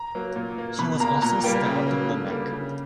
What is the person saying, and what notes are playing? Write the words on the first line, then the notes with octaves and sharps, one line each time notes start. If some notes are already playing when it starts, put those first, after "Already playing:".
He was also stabbed in the neck.
Already playing: A#5
F#3 A#3
A#2
A#3
B2 B5
A#3 A#5
A#2 A#5
G3 A#3 G5
C#3
F#3 A#3
D3
G3 A#3
C#3